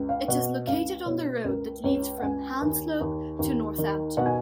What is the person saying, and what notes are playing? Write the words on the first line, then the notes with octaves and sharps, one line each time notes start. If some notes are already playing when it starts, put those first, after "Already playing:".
It is located on the road that leads from Hanslope to Northampton.
Already playing: C#2
F5
B2 F#5
C#2 F5
B2 C#5
C#2 A#4
C#2 C#5
F#5
C#2 G#5
D#2
D#2
D#2
D#3
B2 F#5
G#5